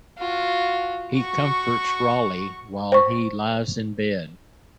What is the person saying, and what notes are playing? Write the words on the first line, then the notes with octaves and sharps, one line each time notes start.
He comforts Raleigh while he lies in bed.
F4 F#4
F#4 C#6
C5 C#6